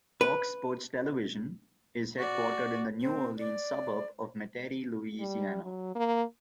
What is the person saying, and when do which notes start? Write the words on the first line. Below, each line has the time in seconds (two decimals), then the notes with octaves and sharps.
Cox Sports Television is headquartered in the New Orleans suburb of Metairie, Louisiana.
0.21 B4
2.17 F#4 D5
3.01 C4
3.39 D5
5.20 G3
5.63 F#3
5.95 A#3